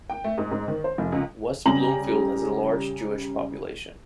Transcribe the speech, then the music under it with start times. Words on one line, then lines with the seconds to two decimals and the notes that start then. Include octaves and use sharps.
West Bloomfield has a large Jewish population.
0.10 G5
0.24 A3
0.38 G#2
0.51 G#2
0.68 D#3
0.84 C5
0.98 F1
1.12 C#2
1.65 C#3 G3 G4 G#5 A#5 F#7